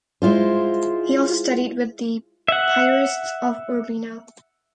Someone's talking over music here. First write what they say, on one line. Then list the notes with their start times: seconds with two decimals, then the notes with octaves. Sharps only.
He also studied with the Piarists of Urbino.
0.22 G#3 E4 F4 C5
2.48 E5 F#5